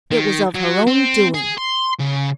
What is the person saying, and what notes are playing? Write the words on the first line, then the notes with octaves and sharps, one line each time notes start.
It was of her own doing.
D#3
F#3
C4
G#4
C6
C#3